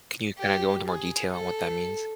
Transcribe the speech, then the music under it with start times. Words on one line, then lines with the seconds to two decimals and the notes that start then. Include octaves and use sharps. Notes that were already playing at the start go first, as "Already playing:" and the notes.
Can you kinda go into more detail on what that means?
0.38 G4
0.86 G#4
1.32 A4